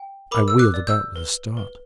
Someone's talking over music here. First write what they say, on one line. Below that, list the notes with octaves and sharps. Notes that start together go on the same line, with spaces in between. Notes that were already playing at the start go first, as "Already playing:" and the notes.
I wheeled about with a start.
Already playing: G5
A#4 B5 D6
E6
D6 F#6
D5
E6 G6
B4
B4